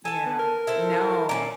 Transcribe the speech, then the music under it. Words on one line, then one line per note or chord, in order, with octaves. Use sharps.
Yeah. No.
A4 G#5 A5
B3
A#4
E4 A4 C5
A#2 C#4 E4 D5